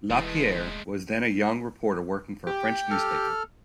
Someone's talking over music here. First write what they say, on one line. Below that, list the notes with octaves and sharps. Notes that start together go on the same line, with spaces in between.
Lapierre was then a young reporter working for a French newspaper.
D#1 E3 G#3 A3
G4
A4 F6